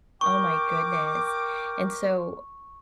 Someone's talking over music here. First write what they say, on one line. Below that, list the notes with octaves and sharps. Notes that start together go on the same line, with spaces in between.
oh my goodness, and so
A#4 G5 C#6 D6